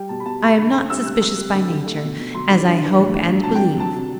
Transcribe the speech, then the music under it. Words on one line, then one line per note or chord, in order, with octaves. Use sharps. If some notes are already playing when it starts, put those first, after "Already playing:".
I am not suspicious by nature, as I hope and believe.
Already playing: G3 G5
B2 A5
B5
B2 A5
A3 B5
D3 B5
D3 B5
G3 E6
C3 F#6
C3 E6
G3
D3
D3
A3
B2
B2
F#3 C6
D3
D4
E3
A2
D4
F#3
C3 A5
G5
D4
F#3 A5
C3